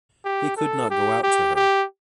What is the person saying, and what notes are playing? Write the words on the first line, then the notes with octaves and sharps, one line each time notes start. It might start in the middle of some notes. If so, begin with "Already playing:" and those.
He could not go out to her.
G4
A4
G4
G4
G4